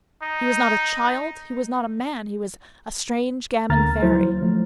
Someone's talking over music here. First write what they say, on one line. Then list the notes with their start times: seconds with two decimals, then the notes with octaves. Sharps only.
He was not a child, he was not a man; he was a strange gamin-fairy.
0.22 D#4
3.70 D2 D3 A#3 A#5 F6 A6
4.02 F3 F#3 E4 C5
4.42 F3 A3